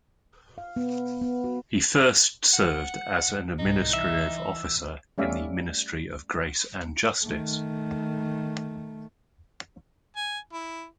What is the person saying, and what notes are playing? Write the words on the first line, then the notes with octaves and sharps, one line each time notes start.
He first served as an administrative officer in the Ministry of Grace and Justice.
F5
B3
B3
F#4
F#5
C2 G#2 D#4
E3 E5
G3 A3 C#4 D5 E5 F5
D#3 A3
G#5
E4